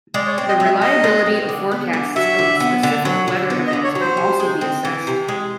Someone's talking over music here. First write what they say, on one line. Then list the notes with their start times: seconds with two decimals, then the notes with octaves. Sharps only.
The reliability of forecasts of a specific weather event can also be assessed.
0.14 G#3 D5
0.27 C#5
0.32 D5
0.38 C4
0.49 D#5
0.60 G#3
0.65 E5
0.81 D#4 D#5
1.04 G#3
1.26 C4
1.49 D3
1.71 B3
1.93 D3
2.16 F#3 E5
2.39 D3
2.60 B3
2.83 D3
3.05 F#3
3.28 D3
3.50 B3
3.67 D#5
3.73 D3
3.84 C#5
3.95 F#3
4.01 C5
4.17 C3
4.40 G#3
4.61 C4
4.85 E3
5.07 C3
5.28 G#3